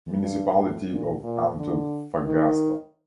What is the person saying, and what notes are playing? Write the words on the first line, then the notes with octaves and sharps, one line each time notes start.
Municipality of Antofagasta.
G2
A2
A#2
A#2
D3
D#3